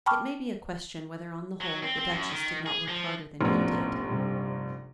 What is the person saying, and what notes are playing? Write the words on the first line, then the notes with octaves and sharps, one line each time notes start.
It may be a question whether on the whole the Duchess did not work harder than he did.
G5 A5 B5 C#6 D6 F6
F#3
C4
C4
F#2
D#3
G#4
F3
F1 A#1 A2 B3 C#4
G2 C3